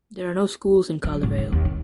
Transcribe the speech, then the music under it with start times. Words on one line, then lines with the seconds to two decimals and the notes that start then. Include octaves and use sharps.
There are no schools in Caldervale.
1.04 F#3
1.23 G#2
1.38 D#3
1.52 D#2
1.65 D#3